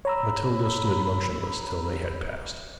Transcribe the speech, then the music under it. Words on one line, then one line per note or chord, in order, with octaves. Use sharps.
Matilda stood motionless till they had passed.
C#5 A#5 B5 E6